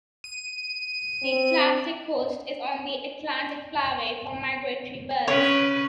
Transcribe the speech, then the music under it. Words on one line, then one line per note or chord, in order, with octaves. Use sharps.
The Atlantic coast is on the Atlantic Flyway for migratory birds.
D#7
C4
C#3 C#4 B4 C#5